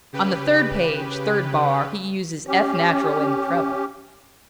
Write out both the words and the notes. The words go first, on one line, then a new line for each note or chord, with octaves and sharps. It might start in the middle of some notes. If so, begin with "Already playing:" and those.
On the third page, third bar, he uses F natural in the treble.
C#3 G4 B4
C#4 G4